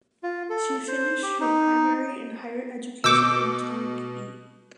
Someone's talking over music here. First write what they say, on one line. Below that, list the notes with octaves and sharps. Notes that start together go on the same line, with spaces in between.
She finished her primary and higher education in Taunggyi.
F4
A4
C5
G4
D#4
B2 D6 E6 G6 C#7